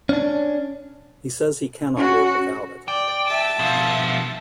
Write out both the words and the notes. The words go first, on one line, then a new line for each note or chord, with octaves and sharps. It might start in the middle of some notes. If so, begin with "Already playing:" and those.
He says he cannot work without it.
C#4 D4
C#4 F#4
D5 G5
E5 A5
B2 F3